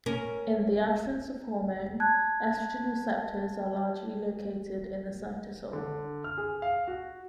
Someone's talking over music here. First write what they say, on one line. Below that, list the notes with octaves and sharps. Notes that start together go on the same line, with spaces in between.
In the absence of hormone, estrogen receptors are largely located in the cytosol.
C#4 A#4
A5 F#6 G#6
D3
F6
G#4
F5
F#4